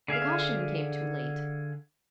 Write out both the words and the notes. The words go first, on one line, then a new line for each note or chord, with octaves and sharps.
The caution came too late.
D3 G#4 E5 F5